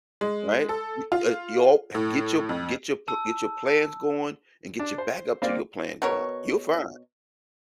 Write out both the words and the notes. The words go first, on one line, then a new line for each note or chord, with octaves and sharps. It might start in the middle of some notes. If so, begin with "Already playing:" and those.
right? We, uh y'all p get your get your pl get your plans going and get your backup to your plan going, you're fine,
G#3
A4
F4
A2
F2
A5 E6
D4
C5
A#3 C4 D5 F5
B2 A#4 C#5